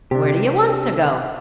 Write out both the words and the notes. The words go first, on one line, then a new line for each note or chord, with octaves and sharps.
"Where do you want to go?"
C3 D4 G4